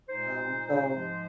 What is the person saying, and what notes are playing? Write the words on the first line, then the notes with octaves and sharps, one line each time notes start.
um so,
A#2 G#3 D#4 C5
G#2 F3 G#3